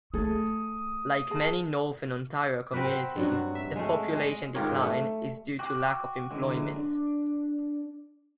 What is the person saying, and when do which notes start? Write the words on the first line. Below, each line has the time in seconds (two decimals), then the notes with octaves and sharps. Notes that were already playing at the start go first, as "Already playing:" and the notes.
Like many northern Ontario communities, the population decline is due to lack of employment.
0.14 A3 G#4 A4 D#6
1.30 G#4 A#4 A5
2.73 C4 F#4 A#4 B4
3.17 G2 F#3 F#4
3.55 E5
3.76 G#3 A3
4.12 G#3 D#5
4.55 G#2 D#3 F4 G4 A#4 C#5
4.82 A3
5.59 F#4 G5 D6 F#6
6.31 D3 E3 F#3 G#3
6.74 D4